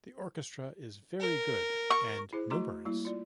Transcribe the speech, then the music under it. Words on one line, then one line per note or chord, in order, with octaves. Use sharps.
The orchestra is very good and numerous.
A#4
C#6
E4 G#4 C5
A3 F#4 A#5 C6 D6
G3 A#3 E4
F4 D5